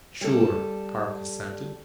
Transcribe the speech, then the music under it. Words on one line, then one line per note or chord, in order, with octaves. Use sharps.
"Sure," Park assented.
G3 A4